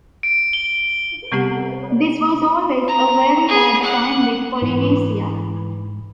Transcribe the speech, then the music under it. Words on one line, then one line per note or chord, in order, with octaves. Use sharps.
This was always a very bad sign with Polynesia.
D7
G7
C3 G3 B3 C4 G4 F#5
A#5
G#4
F#5
G#2 E3